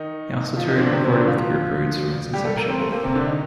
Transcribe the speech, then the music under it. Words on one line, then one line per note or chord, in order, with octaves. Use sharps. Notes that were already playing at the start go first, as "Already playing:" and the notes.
He also toured and recorded with the group Roots from its inception.
Already playing: D#3 D#4
F3 F4
D#3 D#4
C4
D3 D4
C3 C4
C3 C4
D3 D4
F3 F4
G3 G4
A3 A4
A#3 A#4
C4 C5
A3 A4
A#3
C3 C4
D3 D4
D#3 D#4